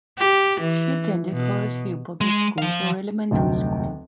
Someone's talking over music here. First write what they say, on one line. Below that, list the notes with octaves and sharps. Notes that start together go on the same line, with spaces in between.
She attended Forest Hill Public School for elementary school.
G4
E3
B2
G#3
F3 F5
F1 D2 F#3 G5